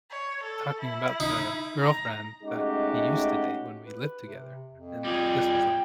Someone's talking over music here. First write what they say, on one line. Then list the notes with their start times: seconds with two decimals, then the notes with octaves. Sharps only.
talking about the girlfriend that he used to date when we lived together, and this was, like,
0.10 C#5
0.43 A4
0.80 E4
1.20 D#4
1.81 A#5
2.43 G#3 A3 C#4 D#4 F#4 G4
3.87 B4
4.24 C3
4.73 F2
5.04 G3 F4 G#4 G5